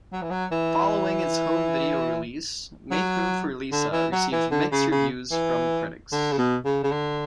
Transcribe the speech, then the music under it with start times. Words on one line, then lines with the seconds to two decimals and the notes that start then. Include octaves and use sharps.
Following its home video release, "Make Room for Lisa" received mixed reviews from critics.
0.13 F#3
0.22 E3
0.31 F#3
0.52 E3
2.91 F#3
3.72 D3
3.92 E3
4.12 F#3
4.32 E3
4.52 D3
4.72 C#3
4.92 C#3
5.32 E3
6.12 D3
6.32 C#3
6.38 B2
6.65 C#3
6.84 C#3
6.92 D3